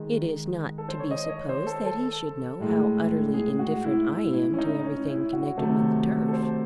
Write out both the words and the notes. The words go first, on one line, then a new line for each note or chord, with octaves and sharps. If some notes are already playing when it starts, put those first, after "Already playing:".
"It is not to be supposed that he should know how utterly indifferent I am to everything connected with the turf."
Already playing: D#3 G#3 D#5
A4
C5
C#5
D#5
C#5
C5
A4
A4
A2 G#3
G#4
F#4
E4
E4
E4
C#4
D#4
C#4
E4
F#4
C3 D#3 F#3 A3 A4
A4
C5